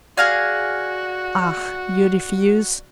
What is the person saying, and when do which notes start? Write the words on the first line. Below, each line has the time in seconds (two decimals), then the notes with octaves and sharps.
Ah, you refuse?
0.17 F#4 G#4 D5 F5 G#5 F#6 A#6